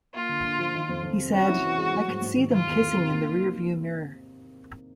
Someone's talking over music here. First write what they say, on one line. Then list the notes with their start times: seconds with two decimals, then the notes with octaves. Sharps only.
He said, I could see them kissing in the rear-view mirror.
0.14 A#3 F4
0.29 D3
0.44 D3
0.59 F3
0.74 D#3
0.89 F2
1.03 F2
1.18 C3
1.33 C#4 F#4
1.48 E4
1.64 E3
1.77 G#3
1.93 F#3
2.08 G#2
2.22 G#2
2.37 D#3
2.52 D#3 F4
2.67 E2
2.81 E2
2.96 C3
3.12 A#3
3.26 D#4